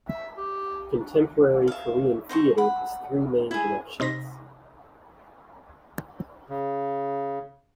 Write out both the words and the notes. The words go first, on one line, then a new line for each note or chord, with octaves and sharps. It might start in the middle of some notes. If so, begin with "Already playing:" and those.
Contemporary Korean theatre has three main directions.
E5
G4
D4
E5 F5
D#4 C5 G5 C#6
F#5 B5
E4 G#4
C3 D#4 C5 A#6 B6
C#3